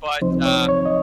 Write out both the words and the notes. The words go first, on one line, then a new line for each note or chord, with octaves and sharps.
But, uh
C#2 C3 F3 C4 D#4 C5
C#5
C#5
D#5